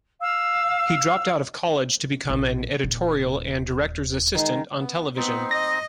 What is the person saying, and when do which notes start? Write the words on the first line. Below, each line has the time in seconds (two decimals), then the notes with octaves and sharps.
He dropped out of college to become an editorial and director's assistant on television.
0.21 F5 E6
2.29 A#1
2.84 D#1
4.35 D#3 G#3 D#4
4.80 B3
5.16 B3 C4 D#4 C5
5.51 D#5 A#6